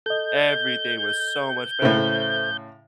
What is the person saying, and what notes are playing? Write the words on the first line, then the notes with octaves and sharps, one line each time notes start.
Everything was so much better,"
A4 D#5 G6
A2 C#3 A4 C5 E5